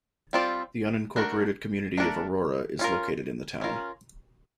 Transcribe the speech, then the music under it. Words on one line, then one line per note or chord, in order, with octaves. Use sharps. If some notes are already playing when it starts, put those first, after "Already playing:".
The unincorporated community of Aurora is located in the town.
G3 C4 F4 A4 D5
A3 D4 F#4 A#4 D5
A3 D4 F#4 A#4 D5
C#4 F4 A#4
C#4 F4 A#4